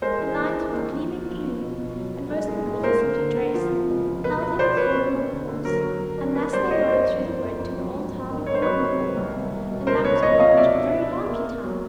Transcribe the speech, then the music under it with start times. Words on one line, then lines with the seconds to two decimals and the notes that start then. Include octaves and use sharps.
A knight with a gleaming plume, and most magnificently dressed, held him before him on the horse, and thus they rode through the wood to the old town of Bordingborg, and that was a large and very lively town.
0.02 G#3 A#4 C5
0.19 E3
0.37 D#2
0.55 E3
0.73 D#2
0.90 F3
1.07 F3
1.25 F3
1.42 B3
1.60 B2
1.78 B2
1.96 F#3
2.14 B3
2.31 G#3
2.48 G#3
2.66 A2
2.83 A#3 A#4 C5
3.01 D3
3.19 D3
3.37 D3
3.54 F3
3.71 C3
3.89 C#2
4.07 F3
4.24 B2 B4
4.42 B3 B4
4.59 B2 C5 D5
4.77 B2 B4 C#5
4.95 C4
5.13 D#2
5.30 D3
5.48 D3
5.65 F#3 A#4
5.83 F#3
6.00 F#3
6.18 D4
6.35 A#3 B4
6.53 G3 C5 D5
6.71 G2 C#5 D#5
6.88 A#3 C5 D5
7.06 F2
7.23 F2
7.41 F2
7.59 F2
7.76 F#3
7.94 G#2
8.11 B3
8.29 D#3
8.46 D#3 C#5
8.54 C5
8.62 F#3 B4 C#5
8.81 C3
8.99 D#3
9.17 C2
9.34 B3
9.51 C2
9.70 B2
9.87 C#2 A#4 C5
10.04 C#2 B4 C#5
10.22 F3 C#5 D#5
10.40 C3 D#5 F5
10.57 B2 D5 E5
10.75 D4
10.92 B3
11.10 B3
11.28 A#3
11.45 A#3
11.63 F#3